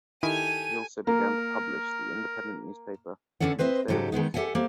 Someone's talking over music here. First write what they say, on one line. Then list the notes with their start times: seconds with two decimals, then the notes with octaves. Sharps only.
He also began to publish the independent newspaper "News Day Warsaw".
0.23 D#3 E4 G4 A4 G#5 D#7
1.07 A#3 A#4
3.40 D3 E3 C#4 A4 D5 F#5
3.59 C4 B4 C5 D#5 E5
3.88 G#2 C#3 F#3 G4 A4
4.12 D#3 G#3 B3 D#4
4.34 G4 A4 D#5 E5 F#5 G#5
4.55 A#3 G4 A4 C5